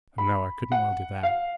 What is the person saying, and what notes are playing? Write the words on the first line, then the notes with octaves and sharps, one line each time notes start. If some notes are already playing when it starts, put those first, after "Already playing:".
No, I couldn't well do that.
B5
F#5
F5